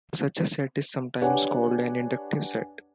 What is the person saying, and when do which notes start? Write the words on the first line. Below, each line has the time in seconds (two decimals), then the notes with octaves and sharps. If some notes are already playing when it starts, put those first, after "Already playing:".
Such a set is sometimes called an inductive set.
1.21 D4 G4 B4 C#5 F#5 G#5